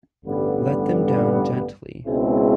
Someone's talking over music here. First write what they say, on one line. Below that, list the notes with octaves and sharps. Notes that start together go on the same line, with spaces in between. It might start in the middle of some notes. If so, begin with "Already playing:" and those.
Let them down gently.
A1 G2 D3 G3 B3
C#2 B2 G#3 C4 E4